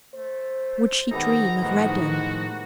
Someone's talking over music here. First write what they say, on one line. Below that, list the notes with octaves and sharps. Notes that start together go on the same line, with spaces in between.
Would she dream of Reddin?
A3 C5
G#2 D#3 B3 D#4 G4 A4 A#5
A2 D#3 F3 B3 D#4 F#4